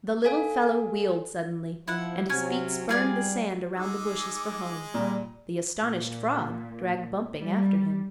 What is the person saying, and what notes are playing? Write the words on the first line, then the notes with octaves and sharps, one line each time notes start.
The little fellow wheeled suddenly, and his feet spurned the sand around the bushes for home--the astonished frog dragged bumping after him.
A4 F5 G#5
F3 E4 F#5
C3 F#3 C#4 G#5
G3 F4 G#4 D5
G#3 D#4 G#4 D6 E6
A#2 G3
A#2
G3